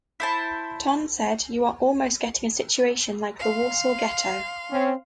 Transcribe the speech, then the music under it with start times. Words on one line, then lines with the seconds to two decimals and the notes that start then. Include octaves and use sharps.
Tonge said You are almost getting a situation like the Warsaw ghetto.
0.20 E4 C5 A5
3.39 F5 C6
4.71 C4 C#4